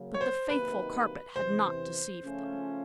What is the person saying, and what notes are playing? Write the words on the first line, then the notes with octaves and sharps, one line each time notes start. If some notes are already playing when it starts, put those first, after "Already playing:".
But the faithful carpet had not deceived them.
Already playing: C#3 F#3 A#3
C#5
C5
C3 D#3 F#3 A#3 D#4 B4
E2 C3 E3 C5
C#3 F3 A3 C#4 F4